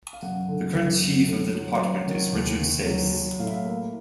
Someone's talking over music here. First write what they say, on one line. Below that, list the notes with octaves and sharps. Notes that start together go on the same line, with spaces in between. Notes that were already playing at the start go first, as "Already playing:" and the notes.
The current Chief of the Department is Richard Sais.
F5
F#2 F#5
D3
F#2
F#2
D3
F#3
F#3
D#3
D#2
D#2
F#3
F#3
A2 F5
E5
F5
A#3